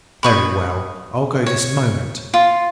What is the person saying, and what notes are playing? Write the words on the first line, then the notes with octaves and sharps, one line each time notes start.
Very well, I'll go this moment.
B5 C#6 D#6
C#5
F4